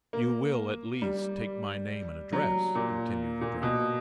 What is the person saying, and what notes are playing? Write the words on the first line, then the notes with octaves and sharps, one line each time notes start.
"You will, at least, take my name and address?" continued the driver.
A#3
G3
F#3
A#2
A#2
B2